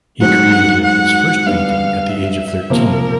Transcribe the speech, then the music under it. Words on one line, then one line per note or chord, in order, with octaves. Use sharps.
He created his first painting at the age of thirteen.
G#2 D#3 F#3 A3 C4 F#5
F#5
D3 G3 B3 F5
E5
C3 F3 A#3 A#4